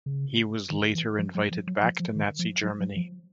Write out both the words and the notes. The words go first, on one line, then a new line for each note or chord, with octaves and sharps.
He was later invited back to Nazi Germany.
C#3
D#3
E3
F3
F#3
F3
F#3
F3
F3
D#3
F3
F#3
F#3
F3